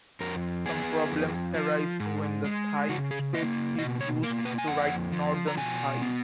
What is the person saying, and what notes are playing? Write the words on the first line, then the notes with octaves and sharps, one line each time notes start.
Some problems arise when the Thai script is used to write Northern Thai.
F2 A#4
B3 G#4
F2
F3
G#2
G#3
C#3 F#4
G#4
A#3 D#5
B2 D#5
C#5
A#3 A#4
B4
G#5
F2 F#5
F3
A#5
B2 G#5
B3